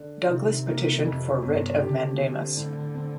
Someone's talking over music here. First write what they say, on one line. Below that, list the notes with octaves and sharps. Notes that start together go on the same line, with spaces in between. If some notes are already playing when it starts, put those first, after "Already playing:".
Douglas petitioned for writ of mandamus.
Already playing: D3
C3 D#3
A#3
F2
G1
D3 G4
C4
A2
C4